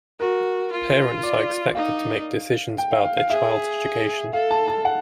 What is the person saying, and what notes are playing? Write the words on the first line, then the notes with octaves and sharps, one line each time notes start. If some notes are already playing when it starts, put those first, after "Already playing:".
Parents are expected to make decisions about their child's education.
F#4 A#4
F4
D5
D#4 F5
G5
F5
F5
F5
G#4 E5
A4 F5
A5
A5
F#5